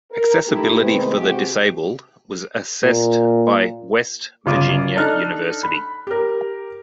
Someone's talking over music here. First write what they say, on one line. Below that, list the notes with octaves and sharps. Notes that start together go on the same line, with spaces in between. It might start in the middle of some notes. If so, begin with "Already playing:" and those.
Accessibility for the disabled was assessed by West Virginia University.
A#4
A3 D#4 E4 G4
A2 C3 D#3 G#3 B3
C3 G#3 F#4 G4
A#2
G1 C#3 F4 D6 D#7
D4 D#4 A4 F6 F#6
B5
G4 A#4